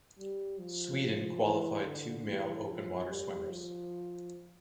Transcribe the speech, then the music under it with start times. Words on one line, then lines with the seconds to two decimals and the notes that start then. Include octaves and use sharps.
Sweden qualified two male open water swimmers.
0.19 G3
0.59 F3
1.01 F3
1.43 E3
1.84 D3
2.25 E3
2.67 F3
3.09 G3
3.49 F3